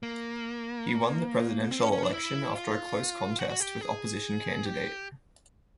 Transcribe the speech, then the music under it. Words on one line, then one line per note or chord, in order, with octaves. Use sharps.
He won the presidential election after a close contest with opposition candidate.
A#3
C4
C#4
C#4
D4
E4
F4
F#4
F#4
G4
G#4
G4